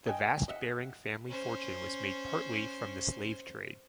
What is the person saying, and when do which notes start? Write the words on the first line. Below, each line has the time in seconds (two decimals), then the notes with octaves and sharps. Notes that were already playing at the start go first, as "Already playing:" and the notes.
The vast Baring family fortune was made partly from the slave trade.
0.07 D#5 G5 G#5
0.48 D#5 E5 F#5
1.29 C#4 C5